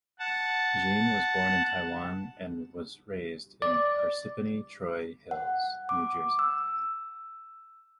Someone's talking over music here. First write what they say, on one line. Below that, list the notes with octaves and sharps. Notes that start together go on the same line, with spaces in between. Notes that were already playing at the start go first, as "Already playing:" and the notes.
Jean was born in Taiwan and was raised in Parsippany-Troy Hills, New Jersey.
F#5 A5
D5
F#5
D6
E6